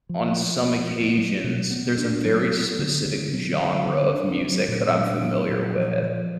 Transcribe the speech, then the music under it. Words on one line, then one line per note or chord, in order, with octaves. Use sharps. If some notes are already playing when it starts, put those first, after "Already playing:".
on some occasions, there's a very specific genre of music that I'm familiar with.
F3
A#3
F3
B3
F#3
B2
B3
D4
F#3
B3
D3
D3
F#3
D3
D3
D4
F#3
A#2
D4
F#3
A#2
F3
F3